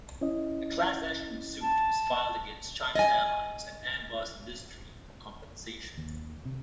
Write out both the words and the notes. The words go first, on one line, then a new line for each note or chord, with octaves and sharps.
A class action suit was filed against China Airlines and Airbus Industrie for compensation.
C#4 E4 D#5
A5
D#5 G#5
D#2
C3